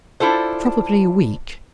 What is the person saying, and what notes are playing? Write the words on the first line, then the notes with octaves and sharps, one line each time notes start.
"Probably a week."
D4 E4 F4 A4 C5